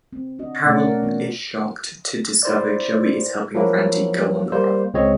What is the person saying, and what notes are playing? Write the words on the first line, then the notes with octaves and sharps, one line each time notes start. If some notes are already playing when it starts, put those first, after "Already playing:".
Carol is shocked to discover Joey is helping Randy go on the run.
C4
D4 F#4 D#5
B2 A3 C#4 C#5 D5 F#5
A#4
E3 B3 D4 F4
E4 C5 D5
F3 F#3 A#3 E4
G3 A#3 C5
C#2 G#3 C4 C#5 D#5